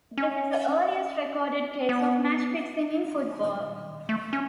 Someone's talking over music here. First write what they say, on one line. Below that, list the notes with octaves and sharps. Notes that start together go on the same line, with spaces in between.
This is the earliest recorded case of match fixing in football.
C#4
B3
A3
C#4